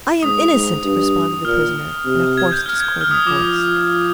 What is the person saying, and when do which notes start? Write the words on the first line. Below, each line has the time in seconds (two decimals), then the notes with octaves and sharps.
"I am innocent!" responded the prisoner, in a hoarse, discordant voice.
0.23 G#2 D#6
0.53 G#2
0.83 G2
1.45 A#2 F6
2.05 C3
2.37 G#6
2.52 G6
2.66 F6
2.80 G#6
3.01 F6
3.11 D#6
3.27 F3 D6